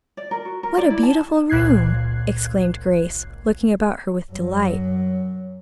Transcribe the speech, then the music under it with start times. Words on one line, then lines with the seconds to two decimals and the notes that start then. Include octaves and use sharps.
"What a beautiful room!" exclaimed Grace, looking about her with delight.
0.17 D5
0.31 A#4
0.45 F#4
0.63 A#4
0.78 D5
0.90 E4
1.03 A5
1.50 G#1 C#2 A#2 F#6 G#6 C7
4.31 F#2 F#3